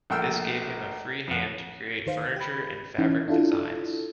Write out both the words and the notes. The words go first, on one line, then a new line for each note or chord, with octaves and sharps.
This gave him a free hand to create furniture and fabric designs.
A#1 A3 F#5 G5 E6 F6
F2 F#5
D#3 C5 F5
G4 B5
E3 C#4 D#4 E4
D4 E4 F4 A4